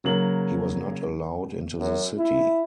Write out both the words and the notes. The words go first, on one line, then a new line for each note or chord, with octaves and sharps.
He was not allowed into the city.
C#3 F#3 A#3 F#7
F#2
E4